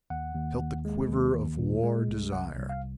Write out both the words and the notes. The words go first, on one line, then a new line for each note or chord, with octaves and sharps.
He felt the quiver of war desire.
D#2 F#5
D#2
D#2
G#3
D#2
D#2
A#2
G#3
C2
C2 F#5
C2
F5